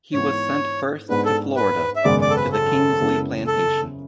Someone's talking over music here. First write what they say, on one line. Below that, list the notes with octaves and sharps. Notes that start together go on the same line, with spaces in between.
He was sent first to Florida, to the Kingsley Plantation.
G#2 E3 B3 C#5
G#2 G#3 B3 D4 B4
A4
B4
E5
G#1 F#2 C#3 G#3 B3 D5
D5
A4
B4
A4
F#2 C#3 G#3 B3 E4
A4